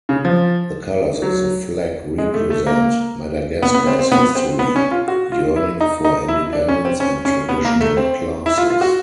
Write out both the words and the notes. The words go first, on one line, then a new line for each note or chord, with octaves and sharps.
The colors of the flag represent Madagascar's history, yearning for independence, and traditional classes.
C#3
F3
F#3
G#3
A3
A3
A#3
B3
B3
C4
C4
B3
C4
B3
C#4
F4
F#4
F4
E4
D#4
D#4
E4
D4
C#4
C4
C#4
C#4
B3
A#3
A3
C4
E4
F4
F4
F#4